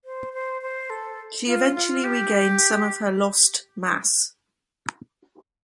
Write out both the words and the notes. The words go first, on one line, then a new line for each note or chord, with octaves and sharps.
She eventually regains some of her lost mass.
C5
C5
C5
A4
F4
F4
G4